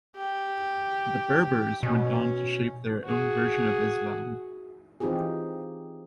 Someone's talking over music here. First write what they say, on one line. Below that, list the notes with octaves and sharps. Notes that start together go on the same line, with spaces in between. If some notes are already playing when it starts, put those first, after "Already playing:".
The Berbers went on to shape their own version of Islam.
G4
B2 C#4
F#4 G#4
E3 C4 D#4 F4 G4 G#4